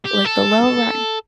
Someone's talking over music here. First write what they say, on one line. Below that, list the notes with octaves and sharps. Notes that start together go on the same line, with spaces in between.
like, the low-ri
G4
A4